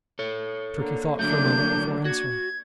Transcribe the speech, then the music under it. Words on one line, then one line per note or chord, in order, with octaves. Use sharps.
Turkey thought for a moment before answering.
A4 C#5
D3 A#3
D3 F#3 A3 A#3 D4 G6
F#4 G#6